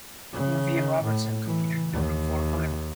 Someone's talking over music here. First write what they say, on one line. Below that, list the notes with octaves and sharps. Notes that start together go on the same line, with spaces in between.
Murphy and Robertson competed in the group four final.
C#3
A2
E3
D#2